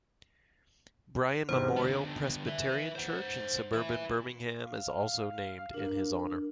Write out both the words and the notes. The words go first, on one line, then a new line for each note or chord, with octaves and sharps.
Bryan Memorial Presbyterian church in suburban Birmingham is also named in his honor.
E2 G#2 C3 C5
D3 B3
B4 E5
C5 F#5
E4 B4
F5
D4 A#4